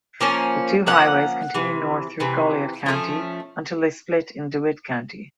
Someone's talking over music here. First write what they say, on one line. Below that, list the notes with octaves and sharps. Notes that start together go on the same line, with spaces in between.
The two highways continue north through Goliad County until they split in DeWitt County.
F3 A#3 C#4
F3 A#3 C#4 F#5
C3 E3
C3 E3
F3 A3 C#4